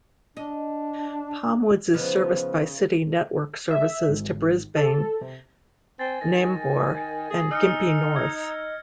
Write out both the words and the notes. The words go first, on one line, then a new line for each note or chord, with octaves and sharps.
Palmwoods is serviced by City network services to Brisbane, Nambour and Gympie North.
D4 D#5
C#3 F3 B3 D#4
E5
G#1
A4
C3
C4 G#5 A6
D#3 A#6
G#4
D#4 E6 F6 C#7
D#5 G#6